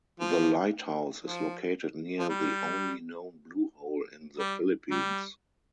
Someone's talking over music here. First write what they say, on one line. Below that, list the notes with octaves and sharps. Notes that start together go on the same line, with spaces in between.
The lighthouse is located near the only known blue hole in the Philippines.
F3
F3
F3
G3
G3
G3